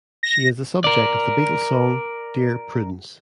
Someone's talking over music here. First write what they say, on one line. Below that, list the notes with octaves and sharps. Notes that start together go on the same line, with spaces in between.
She is the subject of the Beatles song "Dear Prudence".
A#6
A#4 D5